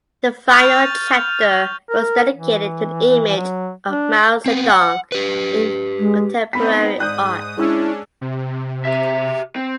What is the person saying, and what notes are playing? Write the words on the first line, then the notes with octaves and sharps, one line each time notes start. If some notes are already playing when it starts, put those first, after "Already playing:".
The final chapter was dedicated to the image of Mao Zedong in contemporary art.
C#6 F6 G6 A6 F7
A#4
E3
F#3
D4
B3 C4
F#5
G4 B4
G#3
B3 C4 D#4 B5 B6
G#2 D5 D#6 F#6 G6
G#3 C#4 D4 E4 C#5 E6
C3
G4 E5
C4